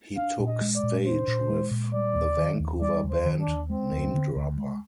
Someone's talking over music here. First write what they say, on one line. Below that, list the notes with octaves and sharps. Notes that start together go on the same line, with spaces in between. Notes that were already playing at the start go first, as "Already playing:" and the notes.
He took stage with the Vancouver band Namedropper.
D4 F5
A#2
D#5
G#3
D5
A#2
D4 C5
A#2
G#3
A#2
G3 D5
D#2
D#3
D#2
G3 D5
D#2
C5
D#3
D4
D#2
G#3 C4
D2
D3
D2
G#3